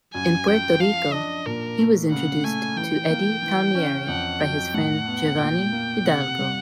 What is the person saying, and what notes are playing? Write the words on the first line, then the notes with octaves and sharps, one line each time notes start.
In Puerto Rico, he was introduced to Eddie Palmieri by his friend Giovanni Hidalgo.
F#2 G#5
F3 G5
F3 F5
D4 D#5
A#2 A#4
A3
C#3 F#5
A3 G#5
E3 G5
A#3
E3
C#4
F2 F#5
F#3 G5
A2 F#5
B3
A#2 G5
A#3
C3 F#5
G3